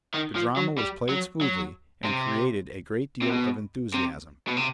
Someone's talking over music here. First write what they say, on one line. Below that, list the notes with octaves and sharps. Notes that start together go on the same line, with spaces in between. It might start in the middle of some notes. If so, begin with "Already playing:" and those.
The drama was played smoothly, and created a great deal of enthusiasm.
D#3
F3
F#3
G3
F#3
F#3
C3
C3
B2
C3
B2
C3